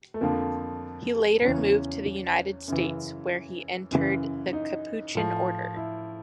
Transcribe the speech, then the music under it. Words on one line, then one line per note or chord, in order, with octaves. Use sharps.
He later moved to the United States where he entered the Capuchin Order.
A3
F2 D3 F3 A#3
E2 C#3 E3 C#4
F#2 C#3 E3
F#2 C#3 E3
D#4
A2 F3
E4